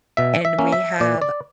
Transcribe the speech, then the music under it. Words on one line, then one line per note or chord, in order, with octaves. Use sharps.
and we have
B2 E5
E5
A#3 C#4
E5
A#2 D5
D5